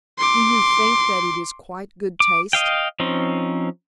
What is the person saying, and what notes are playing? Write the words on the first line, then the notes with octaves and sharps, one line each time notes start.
"Do you think that it is quite good taste?"
C6 D6
D6
D#5 F5 G5
F3 C4 C#4 D#4